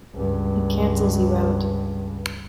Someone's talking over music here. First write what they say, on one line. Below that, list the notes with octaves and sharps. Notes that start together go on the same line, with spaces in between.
It cancels you out.
C#2 G2